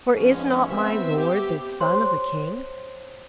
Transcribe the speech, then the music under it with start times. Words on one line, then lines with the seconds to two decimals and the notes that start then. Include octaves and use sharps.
For is not my lord the son of a king?
0.14 F2 G#2 F3 G#3 B3 C#4
0.67 B3 C4 E5
1.16 G4
1.81 C5 C#5 C6